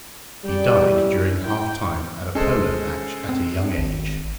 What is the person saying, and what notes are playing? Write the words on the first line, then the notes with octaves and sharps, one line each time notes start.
He died during half time at a polo match at a young age.
G3 G#4 D5 G5
C#4 E4
E4 G5
G#3 C#4 A4 C5
C4
G#1